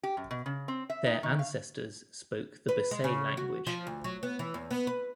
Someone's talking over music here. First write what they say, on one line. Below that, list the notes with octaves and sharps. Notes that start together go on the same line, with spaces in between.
Their ancestors spoke the Basay language.
G4
F#2
B2
C#3
C4
E5
D#4
D#3
F5
B4
G#3
C#3
F#4
F3
D2
F#3
B3
E3
E2
B3
B4